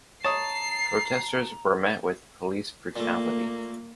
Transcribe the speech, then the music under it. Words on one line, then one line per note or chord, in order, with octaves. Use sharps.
Protesters were met with police brutality.
C#5 A5 A#5 D#6 C7
A#2 A3 A#3